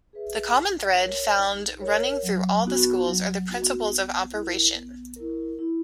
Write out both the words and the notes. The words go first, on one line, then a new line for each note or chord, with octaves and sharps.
The common thread found running through all the schools are the principles of operation.
G#4 B4 E5
D#4
A#4 C#5
D#4
A#4 C#5
F#3
B3 D#4 F#4
F#3
B3 D#4 F#4
B3
E4
A#4
B3
E4 A#4
E4